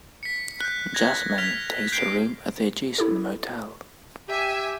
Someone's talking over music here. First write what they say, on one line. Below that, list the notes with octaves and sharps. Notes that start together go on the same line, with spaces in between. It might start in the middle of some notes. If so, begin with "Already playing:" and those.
Jasmin takes a room at the adjacent motel.
B6 C#7
F#6 G6
G#6 A#6
F6 G#6 B6 F7
G6 C7 D7
E4 G4 A4
G4 E5 G#5